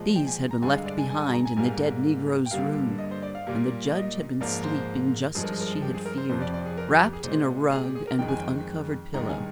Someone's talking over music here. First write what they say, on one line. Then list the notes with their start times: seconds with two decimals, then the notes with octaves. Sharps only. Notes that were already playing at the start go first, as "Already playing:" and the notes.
These had been left behind in the dead negro's room, and the judge had been sleeping just as she had feared, wrapped in a rug and with uncovered pillow.
Already playing: A#2 F3 G#3
0.16 G5
0.27 G#5
0.51 A#5
0.62 G2 D3 G#3 G#5
0.74 F5
0.86 D5
0.98 G#5
1.10 G#5
1.21 G#5
1.33 A#5
1.45 G#5
1.57 G#2 G3 A#3 G#5
2.46 G5
2.51 G2 D3 G3 A#3 F5
2.98 D#5
3.11 C5
3.22 D5
3.35 F5
3.47 A#2 G3 A#3
3.94 D#5
4.41 G#2 F3 A#3 D5
4.64 C5
5.35 G2 F3 G#3 G#4
5.43 A#4
5.52 G#4
5.61 A#4
5.70 G#4
5.82 G4
5.95 G#4
6.06 A#4
6.18 C5
6.29 F2 C3 F3 C5
6.41 D5
6.54 D5
6.66 G#4
6.77 A#4
6.89 G4
7.00 G4
7.13 G#4
7.24 A#2 G#3 C5
7.71 G#4
7.83 G4
7.95 G#4
8.07 A#4
8.19 F2 D#3 G#3 G5
8.28 G#5
8.38 G5
9.14 G2 D#3 G#3 A#5
9.29 G#5